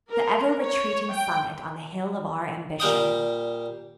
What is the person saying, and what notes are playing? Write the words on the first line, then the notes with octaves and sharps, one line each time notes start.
The ever-retreating summit on the hill of our ambition.
A#4
C#5
G5
A#2 G3 G5 D#6